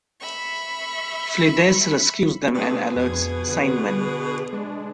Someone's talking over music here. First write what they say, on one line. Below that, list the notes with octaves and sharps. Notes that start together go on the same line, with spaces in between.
Flidais rescues them and alerts Ceinwen.
E5 B5 C#6
B2 A3 C4 D4 G#4 B4
F2 G#6
D3
G#3 D4